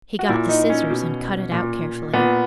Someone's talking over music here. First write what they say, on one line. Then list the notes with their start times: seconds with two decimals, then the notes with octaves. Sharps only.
He got the scissors and cut it out carefully.
0.19 F#4
0.29 A#2 E4
0.49 D#4
0.70 C#4
0.90 B2
1.52 A#2
2.14 A#2 B3